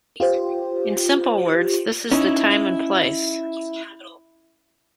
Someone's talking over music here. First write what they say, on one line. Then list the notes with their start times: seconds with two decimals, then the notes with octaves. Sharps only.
In simple words this is the time and place.
0.20 F4 G4 C5
2.12 C#4 D#4 E4